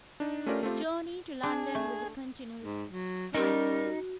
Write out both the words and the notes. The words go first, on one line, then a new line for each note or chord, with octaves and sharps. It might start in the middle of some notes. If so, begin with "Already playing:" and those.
The journey to London was a continued triumph.
D4 D#4
A3 C#4 F4 G4 A#4 D5
A3 C4 F4 G4
D4 G#4
A3
G#2
F#3
G3 C#4 D#4 G4 A#4
F#4